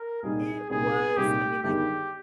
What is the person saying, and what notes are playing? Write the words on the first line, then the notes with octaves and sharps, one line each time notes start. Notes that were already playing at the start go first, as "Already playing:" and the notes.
I It was. I mean, like,
Already playing: A#4
C2 A#2 G3 C4 D#4 G#4
C2 A#2 G3 C4 D#4 G#4
C2 A#2 G3 C4 D#4 G4
G1 G2 D#3 G#3 G4